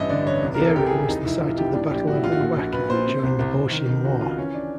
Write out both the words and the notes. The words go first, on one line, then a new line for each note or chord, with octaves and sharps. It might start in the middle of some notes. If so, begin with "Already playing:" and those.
The area was the site of the Battle of Iwaki during the Boshin War.
Already playing: A1 G2 D#5 E5
D3 D5
A1 C#5
C2
A#4
C2
A4
C2 G4
G#4
E3
G4
F1 D#4
F1 E4
E3 F4
C3 G4
A2 D4
A#1 G4
A2 F#4
E4
A#1 F4
F#4
A#2
A#1
A#1 B4
A#2 C5
C3
C2
C2
C2
D#3
C#2
C#2 F#4
C3 F4
E3 C#4
D4